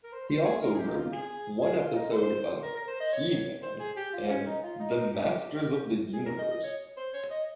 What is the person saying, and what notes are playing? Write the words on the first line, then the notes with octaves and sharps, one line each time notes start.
He also wrote one episode of "He-Man and the Masters of the Universe".
A#4
C5
C5
G#4
A#4
G#4
G4
D#4
F4
G#4
G#4
F4
D#4
C5
A#4
A#4
C5
D#5
C#5
C5
G#4
G4
F4
C#4
D#4
F4
D#4
D#4
G4
G#4
A#4
D#5
D#5
C#5
C5
C#5
D#5